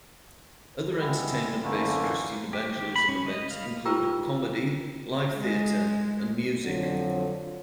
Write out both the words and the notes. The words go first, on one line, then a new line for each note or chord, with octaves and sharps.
Other entertainment-based Christian evangelism events include comedy, live theater and music.
G3 G#3 B3 E4
F#2 D3 E3 A3 A#3
G4
G4
B5
C#4
D#5
F5
F4 G4 B4 G5 A#5 E6
G#3
F2 D3 F3 F#3